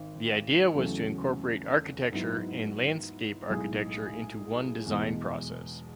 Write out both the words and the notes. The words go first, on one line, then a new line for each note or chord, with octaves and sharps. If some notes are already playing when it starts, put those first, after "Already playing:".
The idea was to incorporate architecture and landscape architecture into one design process.
Already playing: G#1 G#2 D#3
E2 C#3 F#3 A3 C#4
G#2 F#3 B3 E4
B1 A2 G#3 D#4 G#4
E2 B2 G#3